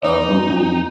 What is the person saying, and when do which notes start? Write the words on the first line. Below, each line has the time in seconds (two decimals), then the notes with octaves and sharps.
a local
0.04 D#4